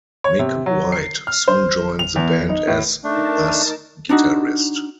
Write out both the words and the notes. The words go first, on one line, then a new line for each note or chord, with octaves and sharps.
Mick White soon joined the band as bass guitarist.
C#5
C3
F#3
C7
F6
C5
F7
E2
D#4
A2
A3 D4 D#4 A#4 A5
D4 D#4 F#4